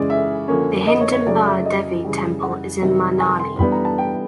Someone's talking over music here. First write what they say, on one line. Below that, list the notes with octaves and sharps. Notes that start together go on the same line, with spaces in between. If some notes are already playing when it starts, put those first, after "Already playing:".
The Hidimba Devi Temple is at Manali.
Already playing: C#3 E3 G#3 C#4 D5
E5
D3 F3 A#3 C#4
D#5
C#5
C#5
C#3 F#3 A3 D5
E5
D#5
C#3 E3 G3
F#5
C3 D#3 G3
G#5
C6
E3 G3 B3 D4 B5
A#5
A5
G5